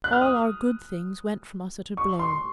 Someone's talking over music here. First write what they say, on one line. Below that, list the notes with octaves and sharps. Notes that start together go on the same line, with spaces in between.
All our good things went from us at a blow.
F#6
F6
D#6
C#6
C6